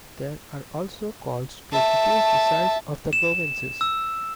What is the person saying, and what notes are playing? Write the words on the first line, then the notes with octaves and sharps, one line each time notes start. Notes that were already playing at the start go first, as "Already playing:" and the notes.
There are also calls to reduce the size of the provinces.
E5 A5
E7
E6